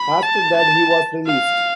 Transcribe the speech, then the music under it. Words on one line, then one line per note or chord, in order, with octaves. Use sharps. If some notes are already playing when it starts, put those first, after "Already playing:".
After that, he was released.
Already playing: B5
A5
A5
F5